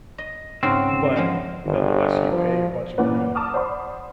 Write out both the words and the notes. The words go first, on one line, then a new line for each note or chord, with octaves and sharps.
But nonetheless, you pay a bunch of money
D#5
G#2 C#3 C4 F#4
F3 G#3 B3
G1
F3
A#2 E3 C#4 B4 F#5
A5 D6 D#6 F6
C5 D5 F#5 B5 C6